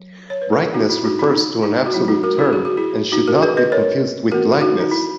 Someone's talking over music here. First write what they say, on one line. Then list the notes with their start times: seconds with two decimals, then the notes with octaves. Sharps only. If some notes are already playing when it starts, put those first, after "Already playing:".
Brightness refers to an absolute term and should not be confused with Lightness.
Already playing: F#3
0.30 C#5
0.42 B4
0.52 A#4
0.63 G#4
0.74 D#4 F#4
0.90 E4
1.04 D#4 F#4
1.19 E4
1.34 D#4
1.63 D#4
1.86 F#4
1.93 F#3 B3 E4
2.08 D#4 F#4
2.23 F#4 A#4
2.38 E4 G#4
2.53 G#4
2.65 F#4
2.77 E4 G#4
3.12 D#4 F#4
3.28 F#4 A#4
3.43 G#4 B4
3.57 B4 D#5
3.72 A#4 C#5
4.32 E3 B3 F#4 A#4
4.61 D#4 F#4
4.80 D#4
4.91 E4